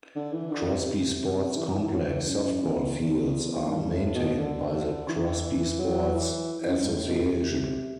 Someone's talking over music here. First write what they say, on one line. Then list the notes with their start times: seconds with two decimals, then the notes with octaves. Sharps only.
Crosby Sports Complex softball fields are maintained by the Crosby Sports Association.
0.15 D3
0.33 E3
0.51 D3
0.68 C3
0.85 C3
1.57 E3
1.74 E3
1.92 F#3
2.09 E3
2.27 F#2
2.62 E2
2.98 E2
3.68 G2
3.91 A2
4.15 B2
4.39 D3
5.08 E3
5.79 F#3
6.14 E3
6.69 F#2
6.82 G2
6.94 A2
7.08 B2
7.21 C3